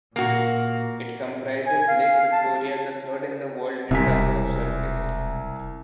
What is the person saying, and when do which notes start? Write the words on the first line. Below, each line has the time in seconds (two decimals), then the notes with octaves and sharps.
It comprises lake Victoria, the third in the world in terms of surface.
0.16 A#2 A#3 F#4
1.66 G#5
1.87 F5
2.31 A5
3.91 E1 C2 C3 G#5 B6